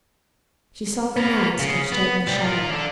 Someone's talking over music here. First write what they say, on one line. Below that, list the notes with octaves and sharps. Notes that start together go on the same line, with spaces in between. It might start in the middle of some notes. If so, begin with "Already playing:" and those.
She saw the man stretched out in the shadow.
B3 A#4
C#3
B3
C2 G3
F4 A#4
D4 A4